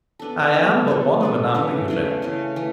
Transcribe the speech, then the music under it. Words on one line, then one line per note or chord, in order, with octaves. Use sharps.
I am but one of a number, you know.
B3 D4 A4
B3 D4 A4
B3 D4 A4
B3 D4 A4
C#3 E3 A3 C#4
C#3 E3 A3 C#4
C#3 E3 A3 C#4
E3 A3 C#4